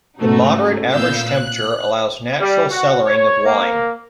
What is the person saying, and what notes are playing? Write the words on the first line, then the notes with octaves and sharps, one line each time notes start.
The moderate average temperature allows natural cellaring of wine.
G#2 C#3 A3 D#4 F#4
A#2 B3 F5 E6 G6
F#6
G3
F#4
C#5
A#3